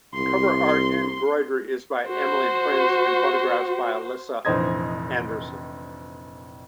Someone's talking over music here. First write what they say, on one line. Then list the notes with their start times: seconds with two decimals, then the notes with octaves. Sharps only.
Cover art embroidery is by Emily Prince and photographs are by Alissa Anderson.
0.14 C2 C6
2.08 F#4 C5
4.45 F1 A#1 E3 C5 D#5 G#6